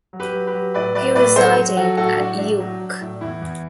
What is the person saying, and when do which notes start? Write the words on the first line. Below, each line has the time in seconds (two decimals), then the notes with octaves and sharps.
He resided at York.
0.13 F#3
0.20 G4 B4
0.34 F#3
0.47 G4 B4
0.54 F#3
0.74 A2 B4 D5
0.95 F#3 B4 D5
1.15 A2 B4 D5
1.36 F#3 A4 C5
1.57 F#3
1.77 F#3 F#4 A4
1.97 A2 F#4 A4
2.18 F#3 D4 F#4
2.38 A2 D4
2.60 F#3
2.80 F#3
3.01 A2
3.21 E2 E4
3.41 E2